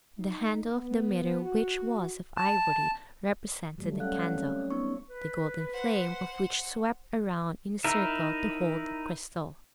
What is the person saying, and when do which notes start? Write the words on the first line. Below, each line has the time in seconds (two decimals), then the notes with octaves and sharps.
The handle of the mirror, which was of ivory, represented the candle, the golden flame of which swept round in a circle to hold the crystal.
0.18 D#4
0.76 B3
1.42 F#4
2.37 A5
3.78 F#3 G3 A3
4.00 C#4 A4 C#5 F5 F#5 F#6
4.35 A3 C4 C#4 C#5
4.71 B3 D#4 C#6
5.09 B4
5.73 C5 F#5
7.84 D#4 E4 A#4 E5